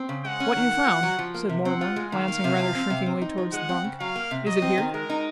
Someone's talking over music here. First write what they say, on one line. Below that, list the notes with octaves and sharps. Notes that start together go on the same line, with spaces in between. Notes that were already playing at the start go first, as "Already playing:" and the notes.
What you found,' said Mortimer, glancing rather shrinkingly towards the bunk; 'is it here?'
Already playing: C4
C#3
G#3 F#5
C#4
D#3
A#3
F4
F#3
F3
A#3
C3
C4 F#5
F4
G#3
D#3 F5
A#3
C3
F3
C4
C3
C4
D#4
F3
G#3 F#5
C4
C#3
F#3 F5
A#3
C3
F#3 D#5
C4
D#3
G#3 A#4
D#4